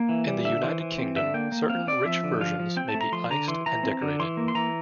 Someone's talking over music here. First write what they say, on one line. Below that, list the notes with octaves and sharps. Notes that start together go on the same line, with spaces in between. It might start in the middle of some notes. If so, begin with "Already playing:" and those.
In the United Kingdom, certain rich versions may be iced and decorated.
Already playing: A#3
E3
G3
D3 E5
E3 C5
E3
C4
D3 E5
A#3 G5
A#3
C4 F5
C4 D5
F3 E5
D3
F3 F5
F3
C4 G5
A5
A3
A#5
F3 C6
D3 A#5
E3 C6
E3 A#5
C4
D3
E3 C6
A#3
C6
E3 A#5